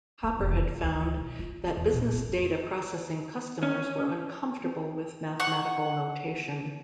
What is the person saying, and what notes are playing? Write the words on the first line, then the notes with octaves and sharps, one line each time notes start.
Hopper had found that business data processing customers were uncomfortable with mathematical notation.
A#3
F1
F2
D2
D3
B1
F4
C4
E2
A#2
C4
F2
C#4
F#5 C#6